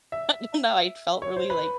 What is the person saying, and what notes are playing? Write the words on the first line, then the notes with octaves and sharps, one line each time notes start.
I don't know, I felt really, like
E5
C#5
C5
B4